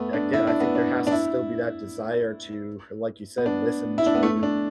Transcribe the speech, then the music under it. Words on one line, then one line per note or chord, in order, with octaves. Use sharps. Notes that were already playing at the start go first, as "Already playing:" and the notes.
again, I think there has to still be that desire to h like you said, listen to
Already playing: A3 B3
D4
E4
D4
B3
D4
D4
E4
B3
D4
E4
D4
B3
A3
D4